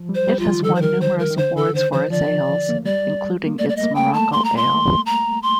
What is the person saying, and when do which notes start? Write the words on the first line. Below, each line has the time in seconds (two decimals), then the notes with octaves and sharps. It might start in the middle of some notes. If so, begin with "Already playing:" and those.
It has won numerous awards for its ales, including its Morocco Ale.
Already playing: F3
0.09 G3
0.15 C5
0.28 G3
0.39 F4
0.46 F3
0.53 D#3
0.61 D3
0.64 D#3 A4
0.75 C5
0.82 A#4
1.01 C5
1.19 A#4
1.31 D#3
1.37 D3 C5
1.56 D3 A4
1.75 D#3 C5
1.93 F3 C5
2.11 F3 D5
2.69 A#3
2.77 A3
2.85 G3 D5
3.47 A#3
3.58 A3 D5
3.69 D5
3.76 D#5
3.83 A#3
3.95 G5
4.08 A3
4.14 A5
4.33 C6
4.45 A#5
4.57 C6
5.06 A#5
5.43 C6